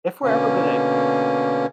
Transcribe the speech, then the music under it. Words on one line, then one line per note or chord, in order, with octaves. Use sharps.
if we're ever gonna
B2 D3 A#3 C#4